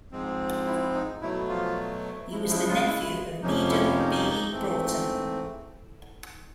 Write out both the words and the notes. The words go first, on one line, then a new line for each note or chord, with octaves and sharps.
He was the nephew of Needham B. Broughton.
G#2 F3 G#3 C4
E4
D#4
B2 F#3 A3 E4
F3 F4
C#3 F3 G#3 E4
E4
F3 F4
E4
F2 C3 F3 A#3 C#4 D#4
E4
D#4
G#2 E3 A3 C4